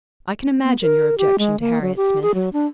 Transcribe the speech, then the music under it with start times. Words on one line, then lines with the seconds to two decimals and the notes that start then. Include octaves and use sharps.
I can imagine your objection to Harriet Smith.
0.64 B3
0.82 A#4
1.18 G4
1.39 G#3
1.60 A#3
1.82 F#3
1.97 G4
2.22 G#4
2.35 F#3
2.53 D4